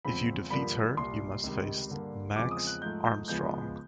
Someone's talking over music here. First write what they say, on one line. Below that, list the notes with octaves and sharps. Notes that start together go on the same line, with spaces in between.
If you defeat her, you must face "Max Armstrong".
E2 C#3 F3 G#3 C4 B5
G2 D3 F3 A#3 B5
C2 A#2 G3 C6
C#2 C3 D#3 G3
G2 D3 G3 A#3
E2 C#3 F3 G#3 C4 D6
D#6
F#6
G#2 F3 A3 G6
G6
C#2 C#3 F3 G#3 B3 G6